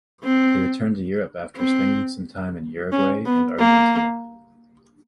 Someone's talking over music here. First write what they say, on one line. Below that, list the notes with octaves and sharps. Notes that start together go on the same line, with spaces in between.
He returned to Europe after spending some time in Uruguay and Argentina.
C4
C4
C#4
B3
A#3